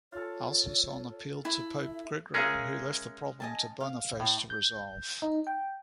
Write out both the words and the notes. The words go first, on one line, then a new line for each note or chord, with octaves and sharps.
Alcison appealed to Pope Gregory, who left the problem to Boniface to resolve.
F4 A4 C#5
E4 E5
G#3 C#4 G#4 A#4 E5 F5
D#5 G#5 A5
F5
A2
G6
D#4
G5